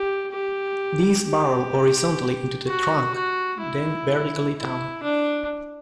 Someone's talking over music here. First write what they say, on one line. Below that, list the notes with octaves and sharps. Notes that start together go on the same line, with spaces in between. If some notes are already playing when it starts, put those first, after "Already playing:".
These burrow horizontally into the trunk then vertically down.
Already playing: G4
G4
G4
F#4
F#4
E4
E4
D4